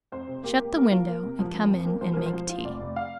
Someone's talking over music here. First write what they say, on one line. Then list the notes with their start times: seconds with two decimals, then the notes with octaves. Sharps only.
Shut the window, and come in and make tea.'
0.12 F2 C5
0.28 C3
0.43 A#3 G4
0.60 A#3
0.75 A#3 A#4
0.92 F4
1.07 A#3
1.23 C3
1.39 F3
1.54 F3
1.70 F2
1.86 A#3
2.01 F3 C5
2.13 F3 A#4
2.26 C5
2.33 F3
2.49 F4
2.65 F1 D5
2.80 F1
2.96 F5